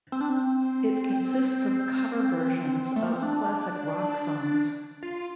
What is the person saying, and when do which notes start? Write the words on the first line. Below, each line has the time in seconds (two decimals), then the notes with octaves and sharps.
It consists of cover versions of classic rock songs.
0.12 C4
0.21 D4
0.29 C4
2.96 A3
3.04 A#3
3.13 C4
3.22 D4
5.03 F4